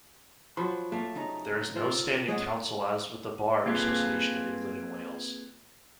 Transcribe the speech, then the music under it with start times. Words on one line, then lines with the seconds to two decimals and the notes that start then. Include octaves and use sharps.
There is no standing council as with the Bar association of England and Wales.
0.57 F3 F#3 B5 C6
0.92 A3 A#3 F5
1.15 C#3 D#4 A#5
1.75 C4 F4 A#4
2.28 G#3 G#4 C#5 F#5
3.66 A#3 C4 F4 G#4 A4 B4